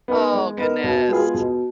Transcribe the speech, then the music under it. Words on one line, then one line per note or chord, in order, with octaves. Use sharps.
Oh, goodness!
B3 D#4 A#4
G#3
B3 D#4 A#4
B2
G#3 B3 F4 G#4
B2